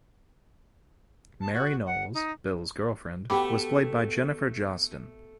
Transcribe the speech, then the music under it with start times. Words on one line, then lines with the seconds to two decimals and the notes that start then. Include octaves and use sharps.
Mary Knowles, Bill's girlfriend, was played by Jennifer Jostyn.
1.40 A5
1.53 F#4
1.86 F#5
2.13 D#4
3.30 A3 B3 F#4 G4 A4 G5 B5 D6